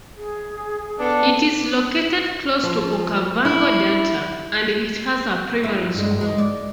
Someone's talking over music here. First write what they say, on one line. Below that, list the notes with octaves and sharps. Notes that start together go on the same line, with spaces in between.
It is located close to Okavango Delta and it has a primary school.
G#4
B3 D4 A4
F3
E4
E4
G2 G#3
G#3
D5